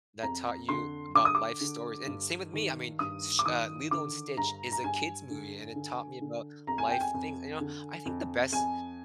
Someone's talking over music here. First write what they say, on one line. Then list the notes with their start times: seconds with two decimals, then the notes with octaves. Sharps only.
that taught you about life stories and same with me. I mean, Sh uh, Lilo& Sitch is a kid's movie, and it taught me about life things and you know, I think the best
0.23 F2 A#5
0.69 D3 C6
1.15 D3 D6
1.25 D#6
1.35 D6
1.61 D3
2.07 G2
2.53 D#3
2.99 G2 D#6
3.39 D6
3.46 D#3 D#6
3.91 D3 D6
4.37 G2 A#5
4.72 A#5
4.84 G2 G#5
5.30 D3
5.76 D3
6.21 D3
6.67 F2 A#5
6.78 G#5
6.89 G5
7.00 G#5
7.14 F2
7.60 D3
8.06 F2
8.52 F2 G#5